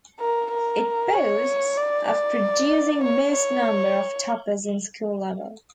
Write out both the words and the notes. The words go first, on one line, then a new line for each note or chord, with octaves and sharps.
It boasts of producing most number of toppers in School level.
A#4
A#4
C#5
D5
D5
C#5
C#5